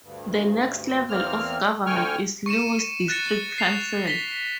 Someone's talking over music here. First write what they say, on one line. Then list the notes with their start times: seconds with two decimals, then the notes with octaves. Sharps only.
The next level of government is Lewes District Council.
0.02 D2 G2
1.09 E2 A#3 C4 F6
1.86 D2 D3 G5 G#5 C#6 F6
2.46 C#6 C#7 D#7 E7
3.08 F#6 A6 A#6 C#7
3.58 C7 F7
4.05 A#6 B6 G7